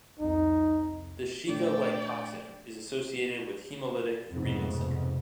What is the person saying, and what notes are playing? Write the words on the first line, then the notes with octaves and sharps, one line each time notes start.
The Shiga-like toxin is associated with hemolytic-uremic syndrome.
C2 F2 D#4
A#2 A3 D4 D5 G5
F1 F2 G#2 B2